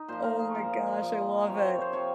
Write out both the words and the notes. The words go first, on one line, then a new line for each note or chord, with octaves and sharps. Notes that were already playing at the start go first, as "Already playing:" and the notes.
Oh my gosh, I love it.
Already playing: D#4
A#2 F3 C5
A#4
G#4
A#2 F3 A#4
A#2 F3
C3 F3 C#5
C5
C#5
C5
C3 F3 C#5